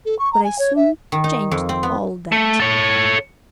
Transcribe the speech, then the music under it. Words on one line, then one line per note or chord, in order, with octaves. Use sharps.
But I soon changed all that.
A4
C#6
A#5
G#5
C#5
E5
D#3
D#4
F2
C4
B3
A3
A4 C#5